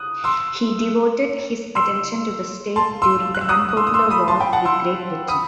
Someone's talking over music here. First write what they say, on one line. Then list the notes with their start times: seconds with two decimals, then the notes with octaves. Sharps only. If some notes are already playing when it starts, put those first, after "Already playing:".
He devoted his attention to the state during the unpopular war with Great Britain.
Already playing: D#6 F#6
0.24 C6 E6
1.75 C6 E6
2.76 A5 C6
3.02 C6 E6
3.35 F#6
3.41 E6
3.49 D#6 F#6
3.69 D#6
3.77 C6 E6
3.87 D#6
3.94 C6 E6
4.11 B5 D#6
4.28 A5 C6
4.40 G5 B5
4.53 F#5 A5
4.65 C6 E6
5.28 B5 D#6